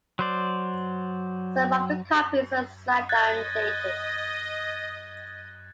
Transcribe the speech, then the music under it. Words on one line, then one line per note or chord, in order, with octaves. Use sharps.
Some of the copies are signed and dated.
F#3 C5 D5
D#5 F#6 G#6 A6